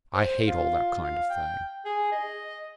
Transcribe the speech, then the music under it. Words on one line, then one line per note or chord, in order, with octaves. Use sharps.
I hate all that kind of thing.
C5
F4
F5
G5
G#4
D#5